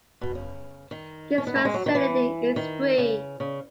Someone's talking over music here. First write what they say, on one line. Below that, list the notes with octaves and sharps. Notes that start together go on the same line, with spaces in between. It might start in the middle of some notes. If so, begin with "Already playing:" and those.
This facility is free.
B2
C#3
D#3
C#4
B3
A3
G#3
F#3
D#3
E3
D#3
C#3
C#3